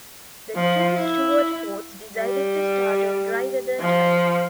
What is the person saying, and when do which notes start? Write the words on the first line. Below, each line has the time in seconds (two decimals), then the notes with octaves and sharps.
The two Stewart-Fords decided to start on dry weather tyres.
0.55 F3
0.97 E4
2.18 G3
3.80 F3